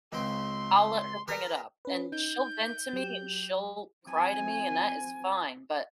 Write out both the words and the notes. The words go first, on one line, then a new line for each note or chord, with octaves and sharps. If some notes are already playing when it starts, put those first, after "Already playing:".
I'll let her bring it up, and she'll vent to me and she'll cry to me, and that is fine, but
C#2 C#3 C4 C6
G#4 A#4 B4
C#4 B4
D#4 G6
F#3 G4
C4 G#5